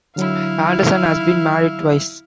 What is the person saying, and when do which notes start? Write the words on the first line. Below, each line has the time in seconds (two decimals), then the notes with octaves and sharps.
Anderson has been married twice.
0.16 D3 F#3 E4 F5